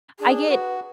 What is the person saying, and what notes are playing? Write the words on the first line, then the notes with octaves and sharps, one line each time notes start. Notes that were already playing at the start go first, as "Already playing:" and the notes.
I get
D4 G#4
F#4 B4